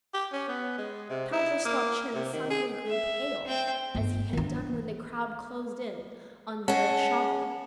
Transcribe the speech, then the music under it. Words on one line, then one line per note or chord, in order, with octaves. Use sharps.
Count Rostopchin suddenly grew pale as he had done when the crowd closed in on Vereshchagin.
G4
C#4
B3
G#3
C3
E4
A#3
C3
D#3
G#4
E5
C4 G5
G1
E3 D4
C#4 G#4 F#5 A5